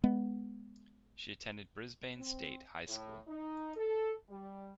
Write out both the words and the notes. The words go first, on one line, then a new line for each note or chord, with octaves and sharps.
She attended Brisbane State High School.
G#3 B3
C4
A2
D#4
A4
G3